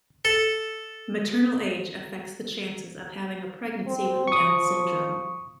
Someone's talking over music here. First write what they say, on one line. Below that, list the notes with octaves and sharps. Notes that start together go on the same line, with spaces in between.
Maternal age affects the chances of having a pregnancy with Down syndrome.
A4
C4
F3 C#6 D#6